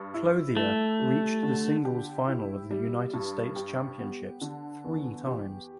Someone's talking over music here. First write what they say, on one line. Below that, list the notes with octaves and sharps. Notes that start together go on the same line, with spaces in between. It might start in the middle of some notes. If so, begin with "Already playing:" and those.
Clothier reached the singles final of the United States Championships three times.
Already playing: G2
E4
A3 E4
G3
D3
G4
E4
G3
G2
G4
B3
D3
E2
G4